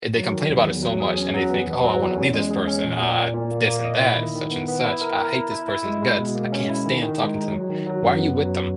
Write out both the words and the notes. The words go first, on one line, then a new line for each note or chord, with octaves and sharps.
and they complain about it so much and they think, "Oh, I wanna leave this person, uh this and that, such and such, I hate this person's guts. I can't stand talking to 'em." Why are you with them?
F#3
D#3
E2
E2
F#3
G#4
C#4
F#3
B3
E2
F#3
E2
C#4
G#3
G#4
C#4
A#2
A#2
A#2
A#2
A#3
A#3
D#5
E4
D#3
D#3
B3
B3
E4
A#4
A#4
E4
E4
E4
G#3
G#3
B2
A#3
C#4
E4
D#3
D#3
G#3
D#4
F#3
D#3
F#3
F#2
B3
F#3